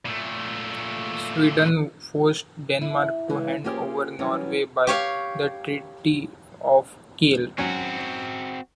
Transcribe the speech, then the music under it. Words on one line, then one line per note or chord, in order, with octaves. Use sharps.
Sweden forced Denmark to hand over Norway by the Treaty of Kiel.
A#2 A3
E4
E3 G#3
A#3 C#4 F4 G4 G#4 C5
E3 F#3 G3 B3 C#4
G4 C#5 F5
F#3 C4 C#4 F#4